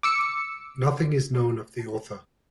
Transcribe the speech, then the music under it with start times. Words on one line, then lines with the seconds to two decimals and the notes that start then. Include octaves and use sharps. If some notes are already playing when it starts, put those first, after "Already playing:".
Nothing is known of the author.
0.03 D6 E6 C#7